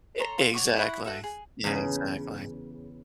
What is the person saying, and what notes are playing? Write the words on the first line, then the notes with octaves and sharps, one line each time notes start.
Ex exactly. Yeah, exactly.
A4 C#5 A#5 C6
F4
C#5 F#5 C#6 D6
E4 F#5 B5 C#6
F#4 A4 E5
G#4
E2 C#3